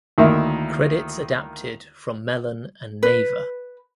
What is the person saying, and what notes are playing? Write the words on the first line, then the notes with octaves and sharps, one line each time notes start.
Credits adapted from Melon and Naver.
D2 D#3 A#3 E4 E5
B4